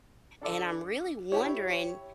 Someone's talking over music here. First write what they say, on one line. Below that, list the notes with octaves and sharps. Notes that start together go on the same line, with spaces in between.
and I'm really wondering,
D4 A4 D5
E4 G4 C#5